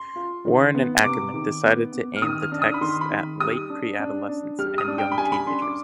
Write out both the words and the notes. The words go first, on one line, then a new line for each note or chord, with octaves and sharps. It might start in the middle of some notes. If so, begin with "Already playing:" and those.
Warren and Ackerman decided to aim the text at late pre-adolescents and young teenagers.
Already playing: C6
F4
D#3
B3
C3 D6
D#3
B3
B3
F6
D#3 D#6
F6
D4
D#6
B5
D#3 C6
B5
D#3
G3 D#6
D4
D4
D4
G3 F6
D#6
D4
G5
B5
G3 G#5
B5
D4 C6
D6